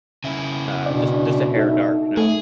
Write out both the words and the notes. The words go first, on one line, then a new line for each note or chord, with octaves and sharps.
uh just just a hair dark no.
C#3 E4
B2 D4 D5
D#4 A4 E5
A3 G#4